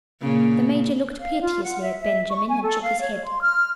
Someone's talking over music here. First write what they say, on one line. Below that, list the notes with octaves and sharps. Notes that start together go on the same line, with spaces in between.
The Major looked piteously at Benjamin, and shook his head.
A#2 C#3
F5
F4
F#5
E5
E5
C#6
G#5
A4
F5
C#5
C6
F6